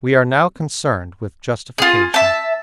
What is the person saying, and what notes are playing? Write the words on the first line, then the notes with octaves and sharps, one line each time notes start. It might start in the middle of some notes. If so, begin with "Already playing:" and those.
We are now concerned with justification.
F4 G#4
E5 A5